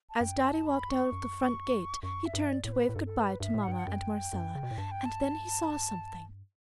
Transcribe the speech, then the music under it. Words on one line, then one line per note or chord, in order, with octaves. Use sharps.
As Daddy walked out of the front gate, he turned to wave good-bye to Mama and Marcella and then he saw something.
A5
F#2 G5
A5
B5
C#6
F#2
F#2 C#6
E5
G2
D5
A2 C#5
B4
A2
G2 A4
A4
B4
G2 E5
A2
F#5
G2 G5
F#5
F#2 G5
F#2
C#3
B2
A2
G2 A5
G5
A5